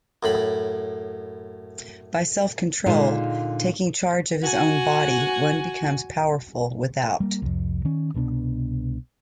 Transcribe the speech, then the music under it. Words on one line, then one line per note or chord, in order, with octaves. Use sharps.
By self-control, taking charge of his own body one becomes powerful without.
F#2 A2 B5
A#2 D3 G#3 A#3 D#4 F4
F#4 G#5
G3 A#3
C2 F2
D#3 C#4
C2 B2 B3 D4